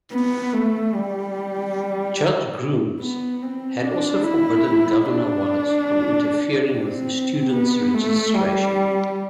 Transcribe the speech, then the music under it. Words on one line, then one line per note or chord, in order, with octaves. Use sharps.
Judge Grooms had also forbidden Governor Wallace from interfering with the students' registration.
B3
A3
G3
B3
C4
D4
E4
D4
C4
B3
A3
G3